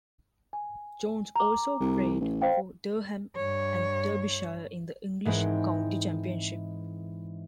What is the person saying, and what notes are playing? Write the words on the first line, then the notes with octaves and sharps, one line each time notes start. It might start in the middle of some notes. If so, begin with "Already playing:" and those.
Jones also played for Durham and Derbyshire in the English County Championship.
G#5
A#5 D6
C2
A1
C5 F5 G5
G2 C#5
G#2 E3 G#3 C4